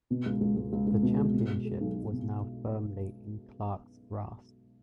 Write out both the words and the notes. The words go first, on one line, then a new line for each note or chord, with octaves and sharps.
The championship was now firmly in Clark's grasp.
B2
C#2
C#2
C#2
C#2
C#2
B2
G#3
B2
G#3
G#3
B1
G#3
B2